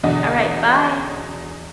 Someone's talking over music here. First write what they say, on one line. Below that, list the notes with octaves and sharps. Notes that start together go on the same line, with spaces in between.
Alright, bye.
E2 B2 D3 D#5 F#5 D#6